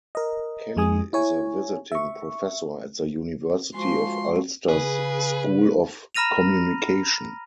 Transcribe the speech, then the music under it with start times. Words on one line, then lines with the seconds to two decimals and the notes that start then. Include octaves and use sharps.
Kelly is a visiting professor at the University of Ulster's School of Communication.
0.15 A#4 D#5
0.77 F2 G#3 G#5 D#6
1.13 E4 C#5 G#5
1.92 E5 C#6
3.74 F3 G#3 F#4 C6 C#6
4.69 C#3 G#4 B4
6.15 A#5 B5 F6 A#6 D#7 F7